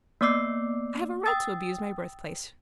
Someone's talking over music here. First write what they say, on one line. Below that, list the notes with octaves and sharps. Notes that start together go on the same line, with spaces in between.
I have a right to abuse my birth-place.
A#3 B3 D5 D6 E6 C7
G5 D#6 E6 A6